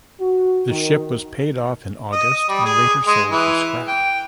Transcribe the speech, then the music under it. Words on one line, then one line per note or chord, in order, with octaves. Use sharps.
The ship was paid off in August and later sold for scrap.
F#4
D#3
D#5
G3
G#4
G#3
E3
G5